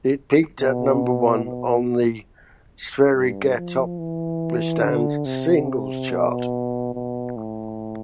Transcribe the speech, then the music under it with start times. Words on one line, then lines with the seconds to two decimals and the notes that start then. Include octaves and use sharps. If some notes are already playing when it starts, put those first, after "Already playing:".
It peaked at number one on the Sverigetopplistan singles chart.
0.60 B2
1.45 B2
3.14 G2
3.56 F3
3.98 E3
4.82 D3
5.26 C3
6.10 B2
6.95 B2
7.37 A2